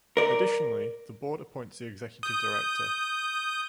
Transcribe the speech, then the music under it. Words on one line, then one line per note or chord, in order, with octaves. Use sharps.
Additionally, the Board appoints the Executive Director.
A#4 D5
D#6 G6